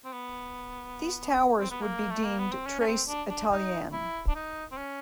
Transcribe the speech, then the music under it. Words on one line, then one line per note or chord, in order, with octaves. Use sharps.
These towers would be deemed trace Italienne.
C4
B3
C4
B3
A#3
A3
A#3
B3
C4
C#4
C#4
C4
D4
D4
D#4
E4
D4
D#4
C4
C#4